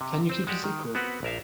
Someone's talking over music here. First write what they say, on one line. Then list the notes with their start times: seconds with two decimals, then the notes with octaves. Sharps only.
Can You Keep a Secret?
0.01 C3
0.29 C4 C5
0.47 G#3 F#4 G4 D5
0.64 D#3
0.95 B3 C4 F#4 B4
1.23 A#1 A#4 E5 F5